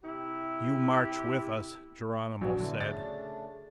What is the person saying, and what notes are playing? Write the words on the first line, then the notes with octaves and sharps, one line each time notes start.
"You march with us," Geronimo said.
C3 E4 G4
A#1 F#3 B3 C#4 F#4
D3 B3 E4 A4
C#3 A3 D4 A6